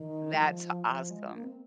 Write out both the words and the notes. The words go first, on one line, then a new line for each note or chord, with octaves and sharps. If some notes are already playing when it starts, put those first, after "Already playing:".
That's awesome.
Already playing: D#3
G#3
F3
F3
G#3
A#3
C4